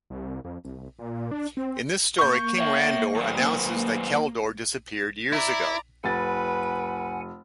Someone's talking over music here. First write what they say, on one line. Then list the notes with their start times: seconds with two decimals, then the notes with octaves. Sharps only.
In this story King Randor announces that Keldor disappeared years ago.
0.10 C2
0.44 F2
0.65 C2
0.99 A#2
1.31 D4
1.57 C4
2.19 A#3 C#6 G6
2.59 C#5 E5
3.16 D#3 F#3
5.33 E4 D5 A#5
6.04 F1 B4 F#5 G#5 A6